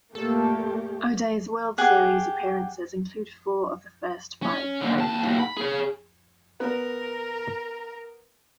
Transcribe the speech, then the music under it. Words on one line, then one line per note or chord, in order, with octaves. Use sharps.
O'Day's World Series appearances include four of the first five played.
A#2 A3 A#3 G4 A4
G4 G#4 F#5
C#4
D#2 D3
D#2 A5
D#2 B2
B5
G#4 C#5
B3 A#4 A#5